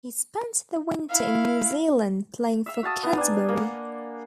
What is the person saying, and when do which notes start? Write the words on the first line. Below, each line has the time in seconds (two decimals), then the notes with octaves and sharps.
He spent the winter in New Zealand playing for Canterbury.
1.09 E4 F5
2.66 E5 F5 E6
2.83 F#4 F5 A5 D#6
3.03 B3 D#4 F5
3.17 D4 G#5
3.49 A#3 F#5